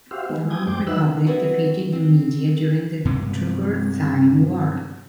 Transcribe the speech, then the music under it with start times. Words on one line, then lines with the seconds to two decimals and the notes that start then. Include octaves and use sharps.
The Roman Republic defeated Numidia during the Jugurthine War.
0.11 F#4 G4 C5 E5 F5
0.29 D#3 G#3 B3
0.50 G5 D#6 G#6
0.67 F#2 C5 G5 D6
0.87 F#3 D#4 B4 E5 E6 F#6
1.26 B3 C4 E4 F#4 B4 C#5
1.92 C4
3.05 G2 C3 G#3 B3